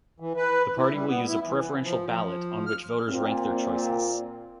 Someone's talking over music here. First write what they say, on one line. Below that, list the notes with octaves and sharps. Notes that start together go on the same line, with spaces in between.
The party will use a preferential ballot on which voters rank their choices.
E3
B4
E4
G3
B3
E4
E3
F3
F3
F6
A#2 C4